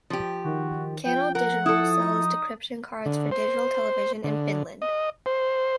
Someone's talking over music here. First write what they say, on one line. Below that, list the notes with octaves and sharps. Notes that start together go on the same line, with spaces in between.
Canal Digital sells decryption cards for digital television in Finland.
F3 G4
D#3 F#4
F3 G5
A#4 F#5
E4 A4 D#6
D#4
D3
C5
D3
D#5
C5